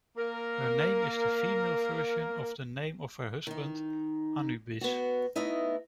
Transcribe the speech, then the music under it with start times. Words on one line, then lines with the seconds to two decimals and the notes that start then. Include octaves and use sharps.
Her name is the female version of the name of her husband, Anubis.
0.17 A#3 A#4
3.47 D#3 D#4
4.81 B3 F#4
5.36 A3 B3 D#4 E4 D#5